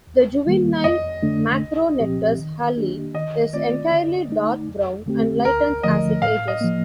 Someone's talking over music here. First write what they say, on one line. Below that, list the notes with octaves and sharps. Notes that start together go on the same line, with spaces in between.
The juvenile "Macronectes halli" is entirely dark brown and lightens as it ages.
D#2
D#3 G3 A#3
F2 D#5
D3 A3 D4
C2
A#2 F3 C4 G4
D#3
A#3 D4 G4
D#3 D#5
A3 C4 F4 D5
D3
A3 D#4
F2
D3 A3 C4 G4
D2 A#4
D3 F3 A3 D#5
A2 F5
D#5
F3 A#3